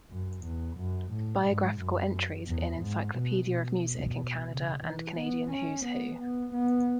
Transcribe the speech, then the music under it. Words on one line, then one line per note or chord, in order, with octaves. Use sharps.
Biographical entries in Encyclopaedia of Music in Canada and Canadian Who's Who.
F#2
E2
F#2
A2
G#2
F#2
E2
G#2
B2
B2
C#3
E3
B3
C#4
B3
B3
B3